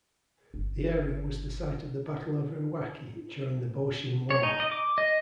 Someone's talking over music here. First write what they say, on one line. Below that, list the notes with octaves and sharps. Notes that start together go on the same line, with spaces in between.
The area was the site of the Battle of Iwaki during the Boshin War.
G1
C#5
D#4
D#5
D6
D#5